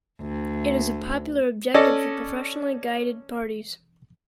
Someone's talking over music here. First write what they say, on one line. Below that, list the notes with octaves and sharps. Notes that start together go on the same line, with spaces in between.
It is a popular objective for professionally guided parties.
D2
C#4 A4 D5 D#5